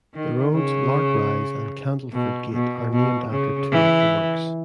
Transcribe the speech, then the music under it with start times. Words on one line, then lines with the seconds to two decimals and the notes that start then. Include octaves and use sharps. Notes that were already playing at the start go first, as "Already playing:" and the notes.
The roads 'Lark Rise' and 'Candleford Gate' are named after two of the works.
0.14 D#3
0.54 C#3
2.13 B2
2.52 B2
2.92 B2
3.32 C#3
3.71 E3